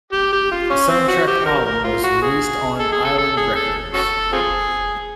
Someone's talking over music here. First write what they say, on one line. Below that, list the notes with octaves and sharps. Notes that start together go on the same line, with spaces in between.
The soundtrack album was released on Island Records.
G4
G4
F4
C#4
C4
F#4
G4
A#4
A#4
F4
F#4
G#4
A4
G#4
A4
A4
G#4
A4
C#4 F#4 A4
C4 F4 G#4